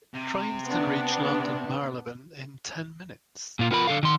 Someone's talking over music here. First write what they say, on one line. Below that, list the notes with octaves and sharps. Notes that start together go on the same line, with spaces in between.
Trains can reach London Marylebone in ten minutes.
C3
B3 D4
A#2 F4
B3 F4 A#4 B5
D3 A4 F5
D#3 C6